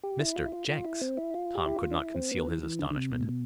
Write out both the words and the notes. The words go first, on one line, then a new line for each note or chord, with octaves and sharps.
"Mr. Jenks?" Tom could not conceal his astonishment.
G4
E4
F4
E4
F4
F4
E4
C4
E4
F4
G4
E4
F4
D4
E4
C4
B3
E3
E3
D3
D3
C3
B2
A2
B2